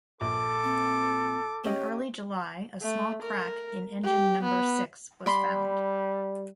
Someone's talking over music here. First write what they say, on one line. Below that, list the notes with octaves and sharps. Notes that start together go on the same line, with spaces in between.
In early July, a small crack in engine number six was found.
A#1 A4 D6
C4
C#4 G4 C#5 D#5
A3
A#4
G4
B3
G3 D5 B5 C6